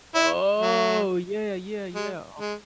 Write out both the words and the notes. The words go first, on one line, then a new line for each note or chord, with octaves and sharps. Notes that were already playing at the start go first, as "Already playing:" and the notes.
Oh! Yeah, yeah, yeah, uh
E4
F#3
G#3
G#3